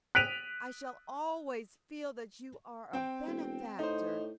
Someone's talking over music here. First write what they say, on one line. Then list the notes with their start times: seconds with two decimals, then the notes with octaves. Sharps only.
I shall always feel that you are a benefactor.
0.15 F#6 B6 D7 D#7 F7
2.93 C4 G5
3.26 E1
3.79 A2 D#4 C5